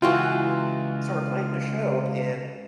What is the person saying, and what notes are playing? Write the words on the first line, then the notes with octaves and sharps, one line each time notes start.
so we're playing the show, and
C#2 E3 F4 F#4 G5